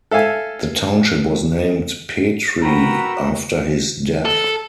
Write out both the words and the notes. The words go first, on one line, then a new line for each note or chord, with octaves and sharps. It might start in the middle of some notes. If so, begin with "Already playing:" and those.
The township was named Petrie after his death.
A4 E5 F5 G#5
F#4 A#4 B4 G5 A#5 E6
A4